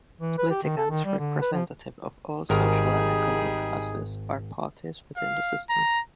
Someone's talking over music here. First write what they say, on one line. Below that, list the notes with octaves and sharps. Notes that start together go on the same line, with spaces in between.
Litigants representative of all social and economic classes are parties within the system.
E3
B4
G4
D#3
A4
D#3
G3
D3
B4
F3
G#1 G3 D#4 G#4 A#4
F5
A#5